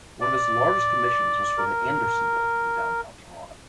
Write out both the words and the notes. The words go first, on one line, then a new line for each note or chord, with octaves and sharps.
One of his largest commissions was for the Anderson Building in downtown Toronto.
D5
A#4